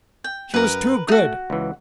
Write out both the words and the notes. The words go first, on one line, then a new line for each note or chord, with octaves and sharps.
She was too good!
G5
F#2 A#4 B4
A3 D#4 F#4
C#2 E3